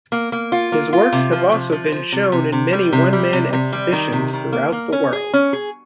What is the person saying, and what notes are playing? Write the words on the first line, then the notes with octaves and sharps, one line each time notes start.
His works have also been shown in many one-man exhibitions throughout the world.
A#3
A#3
F4
A#3
F4
C3
F3
C3
F3
F3
C3
C3
C3
G3
C3
G3
C3
C3
G3
D#3
C3
D#3
A#3
A#3
C#4
G#4
C#4
G#4